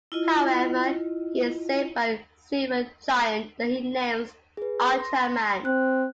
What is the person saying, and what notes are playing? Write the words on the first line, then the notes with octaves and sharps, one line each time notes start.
However, he is saved by a silver giant that he names "Ultraman".
E4 F4 D#5
G#4 B4
C6 A#6
C4 F#6